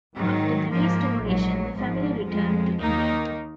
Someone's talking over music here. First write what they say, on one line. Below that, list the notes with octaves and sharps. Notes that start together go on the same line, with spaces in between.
After the Restoration the family returned to England.
G#2 D#3 F#3
G#2 F3 A#3
A#1 G#2 F#3
G#1 G#2 F3
F2 F3 G#3
D#2 D#3 A#3 D#4